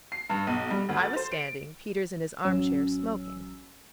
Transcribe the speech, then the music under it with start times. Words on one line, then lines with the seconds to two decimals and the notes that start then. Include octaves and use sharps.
I was standing; Peters in his arm-chair, smoking.
0.12 C7
0.30 G2
0.47 B1
0.70 G3
0.89 D2
1.03 A6
1.16 C5
1.32 D7
2.45 A1 F#3 C#4 E6